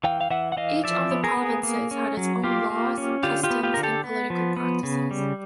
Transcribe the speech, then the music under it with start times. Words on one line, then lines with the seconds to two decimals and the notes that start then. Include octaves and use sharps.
Each of the provinces had its own laws, customs and political practices.
0.04 E3 F5 G5
0.21 F5
0.30 E3 E5 F#5
0.52 F#5
0.57 E3 D#5 F5
0.84 F3 D5 E5
1.11 B3
1.24 G#4 A#4
1.37 B3
1.63 A#3
1.91 C#4
2.17 F#3
2.43 A#3 F4 G4
2.70 A#3
2.98 C#4
3.23 D3 F4 G4
3.43 F4 G4
3.50 B3
3.63 F4 G4
3.74 D3 A#4
3.83 G4 A4
4.04 B3
4.30 F3
4.56 B3
4.83 C#3
5.11 G3